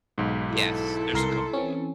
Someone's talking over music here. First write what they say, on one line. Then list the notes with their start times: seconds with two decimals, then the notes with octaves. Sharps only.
Yes. There's a couple of
0.18 B1 G#2
0.49 E4 A4
1.14 C2 A#4 C6
1.53 E3 C4 C#4